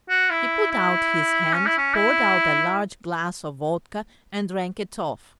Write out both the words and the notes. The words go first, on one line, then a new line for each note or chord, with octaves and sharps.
He put out his hand, poured out a large glass of vodka and drank it off.
F#4
E4
E4
C#4
E4
C#4
E4